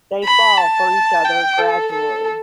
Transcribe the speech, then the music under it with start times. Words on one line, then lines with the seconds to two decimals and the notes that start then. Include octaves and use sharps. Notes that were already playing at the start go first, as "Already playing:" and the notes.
They fall for each other gradually.
0.24 B5
0.57 A5
1.25 G5
1.59 A4
1.92 A4